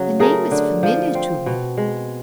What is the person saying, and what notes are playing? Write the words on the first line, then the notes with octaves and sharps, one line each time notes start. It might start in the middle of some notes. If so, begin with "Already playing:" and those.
The name is familiar to me.
Already playing: C#3 F#3
A3 G#4 A#4
D3
F3
C4
B2
G#3